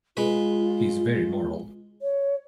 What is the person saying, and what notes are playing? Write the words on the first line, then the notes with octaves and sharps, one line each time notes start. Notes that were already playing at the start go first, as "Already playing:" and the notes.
He's very moral.
G#3 F4 B4
C#5